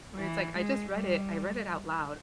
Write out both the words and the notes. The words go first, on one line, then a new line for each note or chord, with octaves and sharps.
where it's like, I just read it, I read it out loud,
E3
G#3
G3